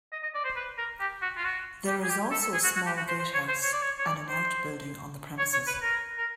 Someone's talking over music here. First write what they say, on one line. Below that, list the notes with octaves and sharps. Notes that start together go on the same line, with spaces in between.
There is also a small gatehouse and an outbuilding on the premises.
D#5
D#5
D5
C5
B4
A#4
G4
F#4
F4
F#4
G4
G#4
G4
A4
A4
G#4
F#4
F#4
G4
F#4
C5
C5
C#5
C5
C#5
D5
C#5
C#5
D5
C5
C#5
C#5
B4
A#4
A#4